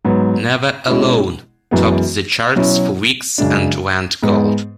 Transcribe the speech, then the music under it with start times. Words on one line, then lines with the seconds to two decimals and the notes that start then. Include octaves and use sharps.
"Never Alone" topped the charts for weeks and went gold.
0.05 G#2 F#3 B3
0.88 B2 G#3 C#4 E4
1.71 F#2 E3 G#3 B3
2.55 B2 F#3 C#4 E4
3.38 F#2 C#3 G#3 D4
4.23 G#2 G#3 B3